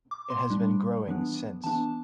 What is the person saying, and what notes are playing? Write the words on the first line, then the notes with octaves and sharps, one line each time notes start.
It has been growing since.
D6
C6
G3 D4
E3 B3 D4
E3 B3 D4 A5